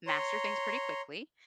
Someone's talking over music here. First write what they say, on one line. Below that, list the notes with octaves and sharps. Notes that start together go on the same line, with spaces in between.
master things pretty quickly,
C#5 A#5 C6